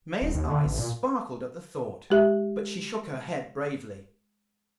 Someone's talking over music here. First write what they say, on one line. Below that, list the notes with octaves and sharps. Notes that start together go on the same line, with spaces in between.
Maia's eyes sparkled at the thought, but she shook her head bravely.
D#1
D#2
D3
A1
A#2
G#3 G4 E5